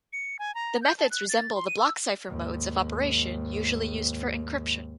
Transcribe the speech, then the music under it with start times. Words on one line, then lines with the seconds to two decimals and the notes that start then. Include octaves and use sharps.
The methods resemble the block cipher modes of operation usually used for encryption.
0.13 C#7
0.39 G#5
0.55 A#5
0.82 G6
0.99 A5
1.11 F#6
1.29 A6
1.55 C6
1.67 D#7
1.79 E6
2.29 D#2 G#2